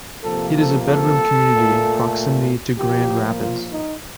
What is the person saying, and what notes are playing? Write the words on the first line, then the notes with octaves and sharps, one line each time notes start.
It is a bedroom community in proximity to Grand Rapids.
C3 F3 A#3 A4
A4
A4
A#2 A3
A#2 F3 A#3 G4
F4
D#4